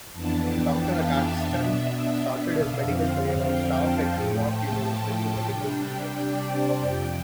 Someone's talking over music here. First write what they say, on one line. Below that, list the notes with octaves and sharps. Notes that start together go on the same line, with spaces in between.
Doctor Agatston started his medical career on staff at New York University Medical Center.
F2 E3 B3 D4 A5
G5
F5
E5
B2 B3 D4 E5
E5
F5
F2 D3 F3 C4
G5
A5
A2 F3 A3 G5
A5
G5
A5
C3 G3 D4 G5
D5
C5
F2 C3 F3 G5